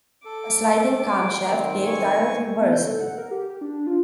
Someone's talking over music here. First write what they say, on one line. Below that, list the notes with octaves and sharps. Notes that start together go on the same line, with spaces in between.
A sliding camshaft gave direct reversing.
A4 D6
D#3 C4
G#5 C#6
B3
G6
A4
F#5
A#4
G4
G4
D4
F4